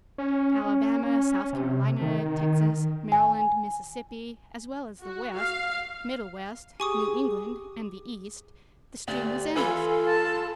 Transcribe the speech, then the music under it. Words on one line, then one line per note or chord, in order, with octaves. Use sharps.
Alabama, South Carolina, Texas, Maryland, Mississippi, as well as the West, Middle West, New England and the East-the stream was endless.
C#4
C3
D#3
G#5
F#4
F5
G4 G#4 G#5 C#6 D#6
D2 G4 D5
E3 F4 A4 B4 G#5
A5